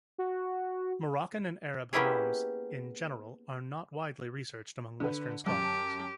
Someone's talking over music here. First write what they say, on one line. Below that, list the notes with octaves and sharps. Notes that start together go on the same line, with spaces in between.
Moroccan and Arab hammams in general are not widely researched among Western scholars.
F#4
A#3 B3 C#4 E4 G4 G#4
D3 B4
F#2 G4 A5